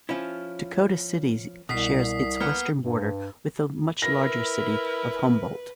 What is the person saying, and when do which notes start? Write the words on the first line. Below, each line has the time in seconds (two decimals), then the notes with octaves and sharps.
Dakota City shares its western border with the much larger city of Humboldt.
0.09 F3 C#4 E4
1.69 C2 B2 D#6 B6 C7
2.40 A#3 B3 F#5 F6
2.77 G2
4.02 E4 A#4 B4 A#6